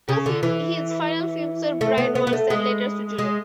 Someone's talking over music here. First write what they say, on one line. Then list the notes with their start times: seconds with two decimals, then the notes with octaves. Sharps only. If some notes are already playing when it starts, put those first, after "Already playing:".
His final films were "Bride Wars" and "Letters to Juliet".
0.09 C#3
0.26 D3
0.43 E3
1.81 A3
1.98 B3
2.15 B3
2.27 B3
2.33 A3
2.50 G#3
3.18 G#3